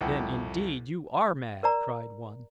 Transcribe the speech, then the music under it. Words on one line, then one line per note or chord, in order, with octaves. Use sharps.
"Then indeed you are mad," cried one.
C2 F2 F#5 G5
A#4 D5 A#5